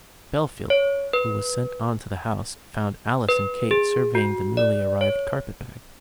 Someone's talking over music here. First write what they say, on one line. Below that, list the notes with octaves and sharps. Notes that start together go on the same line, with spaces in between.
Bellfield, who was sent on to the house, found Alice and Kate surveying the newly arrived carpet bag.
C#5
B4
B4
G#4
F#4
D5
C#5